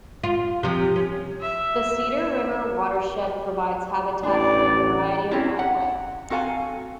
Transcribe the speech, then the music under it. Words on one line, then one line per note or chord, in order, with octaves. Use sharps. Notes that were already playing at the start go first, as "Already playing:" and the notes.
The Cedar River Watershed provides habitat for a variety of wildlife.
F4
C3 F3
C#4
E5
A1 D4 D5
A3 C4 C#4 E4
F#5
C4 F#4 A4 F5 G#5